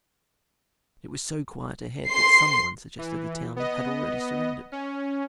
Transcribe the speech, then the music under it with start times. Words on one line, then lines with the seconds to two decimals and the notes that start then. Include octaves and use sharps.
It was so quiet ahead that some one suggested the town had already surrendered.
2.09 C6 C7
2.99 E3
3.56 B3 D#5
4.72 C#4